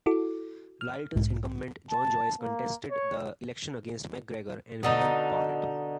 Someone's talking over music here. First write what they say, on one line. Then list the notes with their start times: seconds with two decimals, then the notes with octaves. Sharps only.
Lyttelton's incumbent, John Joyce contested the election against McGregor and William Barnett.
0.06 E4 F#4 A4 D6
0.81 F6
1.15 B1 G#2
1.90 A5
2.41 A#3
2.91 C#5
4.83 B2 D3 D#4